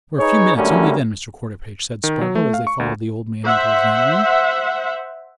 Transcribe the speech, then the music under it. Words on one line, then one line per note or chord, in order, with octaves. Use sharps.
"For a few minutes only then, Mr. Quarterpage," said Spargo as they followed the old man into his dining-room.
D#4 G#4 B4 C#5
F#2 D3 G3 A3 A#3 C#4
D#3
F#3
A3
F5
C#6
D2
C5 E5 F#5